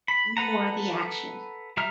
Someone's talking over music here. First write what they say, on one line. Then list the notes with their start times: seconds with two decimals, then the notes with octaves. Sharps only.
more of the action.
0.08 B5
0.37 A4 B4 F#5 A#5
1.77 G3 E5 A#5 F6